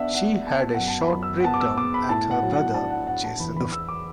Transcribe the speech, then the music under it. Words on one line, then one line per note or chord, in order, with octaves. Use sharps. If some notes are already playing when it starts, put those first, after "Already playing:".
She has a short breakdown at her brother, Jason.
Already playing: B3 D4 E5 F#5
D4 F#5
B3 A5
F#2 F#5
A5
B5
F#2
E6
F#5
B3 A5
D6
E6
B3 D6
B5
A2 A5
F#5
F#3
F#5
D4 A5
F#5
D4 F#5
A5
E2 B5
B5
E2 E6
D6